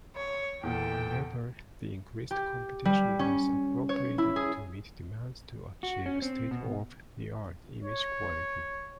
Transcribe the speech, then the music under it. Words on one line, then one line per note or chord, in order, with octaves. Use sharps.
However, the increased computation is appropriated to meet demands to achieve state-of-the-art image quality.
C#5
E2 A#2 A4 G5
G4
G3
C#4
C#5
E4
G#4
F#4
C#4
C4
B2
C#5